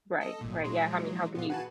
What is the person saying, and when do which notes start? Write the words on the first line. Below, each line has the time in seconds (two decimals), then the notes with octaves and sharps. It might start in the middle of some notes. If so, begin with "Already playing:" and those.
Right, right, yeah, I mean, how can you
0.21 A4 D#5
0.41 G#1 A#2
0.64 A#2 F#3 G#3 C6
1.01 E3
1.35 A#2 D3 B3 F4
1.50 F#4 G#4 B4 F#5 G#5 A5